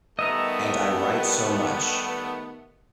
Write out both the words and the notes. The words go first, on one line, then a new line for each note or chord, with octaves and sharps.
And I write so much.
D#3 G3 A3 B3 D#5 E5 A#5